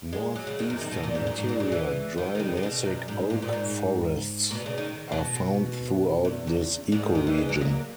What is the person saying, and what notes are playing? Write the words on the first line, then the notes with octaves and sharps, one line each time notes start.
Northeastern interior dry-mesic oak forests are found throughout this ecoregion.
G#3
F#3
C#3
D#3
F#2
D#3
B2
A#2
G#2
F#2
G#2
A#2
C#3
E3
D#3
D#3
C#3
C#3
B2
F#2
G#2
G#2
A#2
G#2
A#2
B2
C#3
D#3
B2
E2
E2
G#2
D#3
E3
G#3
F#3
A#3